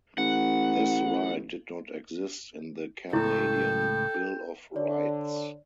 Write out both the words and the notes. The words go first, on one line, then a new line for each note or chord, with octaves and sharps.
This right did not exist in the Canadian Bill of Rights.
A1 F#5
C#2 A2 E4 A4 G5
D3 C#5 D5